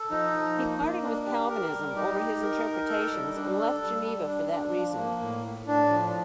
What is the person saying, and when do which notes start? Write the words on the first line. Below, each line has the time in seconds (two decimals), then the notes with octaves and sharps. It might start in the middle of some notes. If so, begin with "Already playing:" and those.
He parted with Calvinism over his interpretations and left Geneva for that reason.
Already playing: A4
0.10 F3 D#4
0.34 F3
0.57 A#3
0.80 A#3
1.03 D4
1.26 G4
1.50 A#4
1.73 G3
1.95 D#4 G4
2.19 G4
2.42 A#4
2.66 A#4
2.89 A4
3.12 G3
3.35 D4
3.59 A4
3.82 G3
4.05 G3
4.28 D4
4.51 D4
4.75 F3
4.98 A#3
5.21 A2
5.44 A2
5.67 A2 D4
5.90 F3